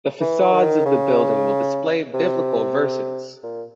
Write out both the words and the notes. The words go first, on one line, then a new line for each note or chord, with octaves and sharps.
The facades of the buildings will display biblical verses.
E3
D#3
C#3
C3
A#2